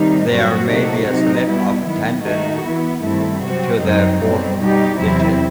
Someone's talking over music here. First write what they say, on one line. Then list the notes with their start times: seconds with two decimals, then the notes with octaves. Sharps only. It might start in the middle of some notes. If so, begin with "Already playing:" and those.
There may be a slip of tendon to the fourth digit.
Already playing: C3 D#3 G3 D#4
0.29 G2 F#3 C4 F#4
0.67 C3 F#3 A3 D#4 F#4
1.06 C3 F#3 C4 D#4
1.46 B2 G3 B3 E4
1.85 D#3 F#3 B3
2.24 D#3 A3 D#4 F#4
2.64 E3 B3 E4
3.02 G2 D#3 A3 C4 E4
3.42 C3 F#3 C4 F#4
3.80 F#2 F#3 C4 D#4
4.19 B2 G3 C4
4.59 B2 G3 D#4 G4
4.98 E2 C3 F#3 C4 E4